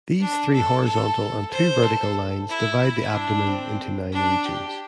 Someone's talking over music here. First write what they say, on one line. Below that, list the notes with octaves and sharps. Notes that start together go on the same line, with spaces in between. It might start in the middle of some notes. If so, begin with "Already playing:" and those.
These three horizontal and two vertical lines divide the abdomen into nine regions.
D4
A4
A4
C5
A4
E4
E4
D4
C4
D4
G4